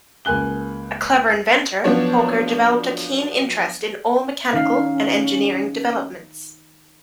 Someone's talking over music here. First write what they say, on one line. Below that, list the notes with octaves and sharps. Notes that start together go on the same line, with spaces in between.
A clever inventor, Hawker developed a keen interest in all mechanical and engineering developments.
C#2 A#3 G#5 F#6 G7
F3 F#3 B3 D4 F#4 C#5
D#3 C#4 D#4 F5